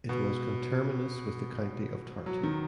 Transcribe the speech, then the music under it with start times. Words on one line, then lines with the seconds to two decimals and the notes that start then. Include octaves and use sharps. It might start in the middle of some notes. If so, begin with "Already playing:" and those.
It was conterminous with the county of Tartu.
0.09 B2
2.26 F#3
2.43 D#3